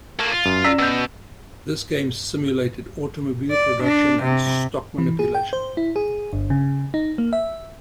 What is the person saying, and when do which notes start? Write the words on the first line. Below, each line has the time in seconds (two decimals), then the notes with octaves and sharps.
This game simulated automobile production and stock manipulation.
0.19 A3 A#3
0.32 F4
0.45 F#2
0.64 C#4 D5 E6 A#6
0.79 B2 E6 G6
3.51 D5
3.84 D4
4.23 C3
4.98 E3
5.19 G#4
5.35 G5
5.53 C5
5.77 E4
5.96 G#4
6.33 G1
6.50 C#3
6.94 D#4
7.18 A#3
7.33 E5